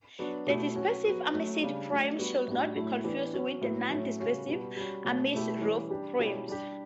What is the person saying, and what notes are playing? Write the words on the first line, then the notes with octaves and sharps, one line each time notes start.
The dispersive Amici prism should not be confused with the non-dispersive Amici roof prism.
F#3 B3 D4 F#4
B2 A3 E4 G4
F#3 C#4 F#4
F#3 B3 F#4
F#3 A3 C#4
C#3 G3 D4
F#3 A3 D4
G3 B3 F#4
A2 G3 D4 F#4
A2 F#3 A3 E4
E3 B3 D4 G4
F#3 C#4 F#4
A2 F#3 B3 E4
A2 F#3 A3 C#4
C#3 G3 C#4 F#4
B2 G3 B3 F#4
G3 C#4 F#4
B2 F#3 A3 C#4
B2 A3 E4 G4
E3 G3 C#4
G3 D4 G4
B2 G3 C#4 E4 G4
G3 D4 G4